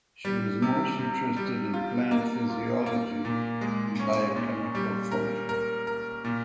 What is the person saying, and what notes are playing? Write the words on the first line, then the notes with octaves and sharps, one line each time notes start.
She was most interested in plant physiology and biochemical function.
G3
C3
C3
G3
F4
A#3
F4
A#3
A#2
G#3
C#4
A#2
G3
A#4
A#4
A#4
A#2